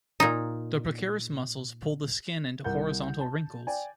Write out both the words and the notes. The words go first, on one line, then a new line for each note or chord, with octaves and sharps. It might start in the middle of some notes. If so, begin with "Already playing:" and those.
The procerus muscles pull the skin into horizontal wrinkles.
A#2 D#4
C2 A#4 F#5 G6
A5
D5 G5 G#5